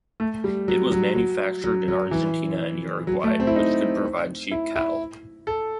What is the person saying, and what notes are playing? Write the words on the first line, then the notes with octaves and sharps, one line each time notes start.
It was manufactured in Argentina and Uruguay which could provide cheap cattle.
A3
G3
F#3
F#3
F#3
F#3
F#3
E3
F#3
A3
C4
E4
D#4
E4
E4
A4